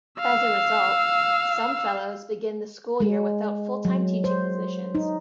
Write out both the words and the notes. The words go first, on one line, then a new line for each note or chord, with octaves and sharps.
As a result, some Fellows begin the school year without full-time teaching positions.
F5 E6
G#3
F#3
C5
D#4